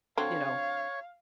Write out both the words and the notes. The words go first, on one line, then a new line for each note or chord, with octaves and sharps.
you know,
D3 F#3 C4 C#5 F5